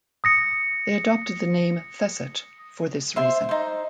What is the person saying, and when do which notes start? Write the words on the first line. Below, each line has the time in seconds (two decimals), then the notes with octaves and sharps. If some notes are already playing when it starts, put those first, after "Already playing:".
They adopted the name 'Theset' for this reason.
0.24 D#6 A#6 C#7
3.16 C5 E5 C6
3.49 D#4 C5